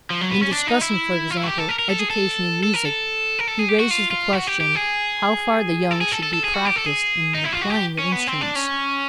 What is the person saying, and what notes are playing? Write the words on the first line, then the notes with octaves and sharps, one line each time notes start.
In discussing, for example, education in music he raises the question how far the young should be practiced in the playing of instruments.
F3
F#3
B3
C#4
D4
D#4
E4
F4
E4
F#4
G4
A4
A#4
A#4
A4
G#4
A4
A4
A#4
A4
A#4
A4
G#4
G4
F#4
F4
F4
F#4
G4
G4
G#4
A4
G#4
A4
A4
A4
G#4
F#4
G4
A4
G#4
D#4
E4
F4
F#4
G4
C#4
B3
C4
D4
C#4